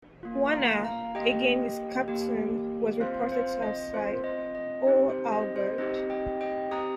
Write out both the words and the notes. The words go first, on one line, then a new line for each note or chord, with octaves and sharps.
Warner, again his captain, was reported to have sighed: Oh, Albert.
A#3 F4
F5 A#5
F5 A#5
A#3 G4 D#5 G5
A#3 G4
C4 F4 C5 F5
C5 F5
D#5
C4 F4 C5
D#5
D#5
C4 D#4 G4
C5
D#5
C5
C4 D#4 G4 D#5
D#5 G5
D#5 G5
C4 G4 A#5 D#6